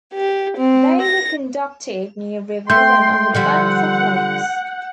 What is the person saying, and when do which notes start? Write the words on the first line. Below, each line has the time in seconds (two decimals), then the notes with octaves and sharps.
They were conducted near rivers and on the banks of lakes.
0.13 G4
0.57 C4
1.02 A#6
2.70 A3 G5 C6 G6
3.35 D3 F3 G3 F#5